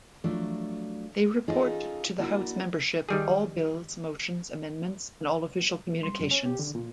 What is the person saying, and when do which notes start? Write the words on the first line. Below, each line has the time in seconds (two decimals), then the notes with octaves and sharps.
They report to the House membership all bills, motions, amendments, and all official communications.
0.24 F3 F#3 A3 D4
1.48 C#4 D#4 F4 G#4 A4
2.18 A#3 D4 E4 F#4
3.09 D#3 G3 G#4
6.03 C6
6.19 F#2
6.31 C#4
6.46 G4
6.59 D3
6.75 A#2